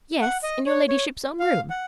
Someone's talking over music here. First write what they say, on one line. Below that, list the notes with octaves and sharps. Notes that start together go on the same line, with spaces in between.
"Yes, in your ladyship's own room."
F#5
D#5
C#5
C#5
F5
F#5